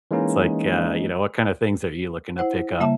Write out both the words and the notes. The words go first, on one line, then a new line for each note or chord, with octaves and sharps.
It's like, uh, you know, what kind of things are you looking to pick up?
E3 G#3 A#3 C#4 D#4
E4 C5 F#5
C#3 G3 A#3 E5 A5